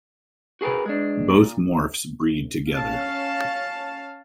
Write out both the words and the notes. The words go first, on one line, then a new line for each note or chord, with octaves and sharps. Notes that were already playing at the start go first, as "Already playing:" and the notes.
Both morphs breed together.
F#4 G#4 A#4 B4
G#3 D4
A#2
C#4 F5 A5